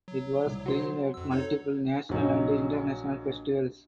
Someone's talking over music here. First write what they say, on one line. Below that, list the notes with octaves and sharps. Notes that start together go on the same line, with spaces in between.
It was screened at multiple national and international festivals.
F#3
C2
F#4 C5
F2 E6
D#4 A4 C#5
A#1 F#3 D#4